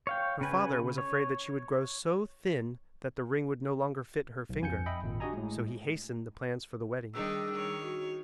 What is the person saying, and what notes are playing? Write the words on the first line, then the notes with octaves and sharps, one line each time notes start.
Her father was afraid that she would grow so thin that the ring would no longer fit her finger, so he hastened the plans for the wedding.
C#5 F5 G5
C#3 B4 G#5
C#5
B1
F2 G#5 G6 C#7
D#5 E5 G5 B5
G#1 A#2
D4 F#4 G4 D#5 G#5 A#5
A2 G#3
D#3 G3 D4 D#4 G#4 E6
D#3 C#5
F#4